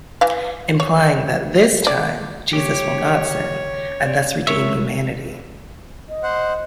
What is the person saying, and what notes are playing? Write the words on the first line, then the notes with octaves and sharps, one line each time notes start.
Implying that this time Jesus will not sin, and thus redeem humanity.
E3 F5
C#5
D5
D#2 C#3 G4 C#5
C5 D5
F2 G#3 A#4 C#5 E5
D#5
C5 F#5